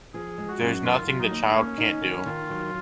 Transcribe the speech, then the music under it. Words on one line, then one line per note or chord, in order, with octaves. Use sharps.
There's nothing the child can't do.
F3 G#4
G#3
F#4
F#2
D#3 F4
F#3
D#4
D#2
A#3 C#4
D#4
D#3
D#3 F4
F#3